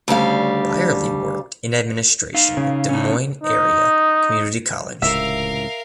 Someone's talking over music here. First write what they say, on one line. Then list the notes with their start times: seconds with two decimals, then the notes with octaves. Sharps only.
Byerly worked in administration with the Des Moines Area Community College.
0.08 D2 C#3 G3 F5
2.34 D#4 F5
2.57 C#3
2.89 C#4 D#4
3.43 D#4
5.02 D1 C#2 A2 C3 A#4 E5 F5